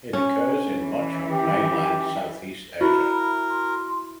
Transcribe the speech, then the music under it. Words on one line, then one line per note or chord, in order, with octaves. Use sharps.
It occurs in much of Mainland Southeast Asia.
C#4
E3
G4
E4 F#4 A#4 B5
C6